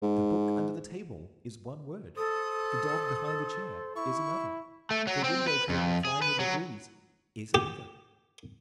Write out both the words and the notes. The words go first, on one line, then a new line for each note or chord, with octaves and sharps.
The book under the table is one word, the dog behind the chair is another, the window curtain flying in the breeze is another.
G#2
A4 C5 D#6
E4 C#6
A3
F#3
C4
B4
F2
G#4
B4
F#3
G4